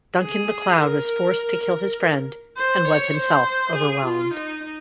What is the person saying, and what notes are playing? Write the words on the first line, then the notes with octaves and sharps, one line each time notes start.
Duncan MacLeod was forced to kill his friend and was himself overwhelmed.
G#4
A#4
C5
C#5
C5
G#4
F4
D#4